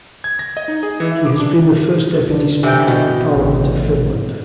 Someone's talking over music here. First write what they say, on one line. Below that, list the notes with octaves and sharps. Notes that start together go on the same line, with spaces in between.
He has been the First Deputy Speaker of the Parliament of Finland.
G#6
A#6
D#5
D#4
G#4
E3
E5
D6
D4
D3
C3 E3 G5
B2
A1